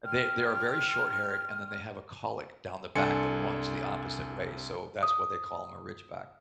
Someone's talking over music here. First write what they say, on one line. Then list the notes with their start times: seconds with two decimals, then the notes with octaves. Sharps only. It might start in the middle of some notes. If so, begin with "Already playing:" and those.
they they are very short-haired, and then they have a cowlick down the back that runs the opposite way, so, that's why they call 'em a Ridgeback,
0.05 G5 C6 F6
2.95 C2 D4 A4 G#5 C6 C#7
5.03 D#6